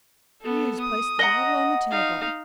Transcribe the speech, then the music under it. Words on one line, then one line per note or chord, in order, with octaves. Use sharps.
Hughes placed the bottle on the table.
B3 A4
D#6
D#5 F#5 A#5
D#4 F5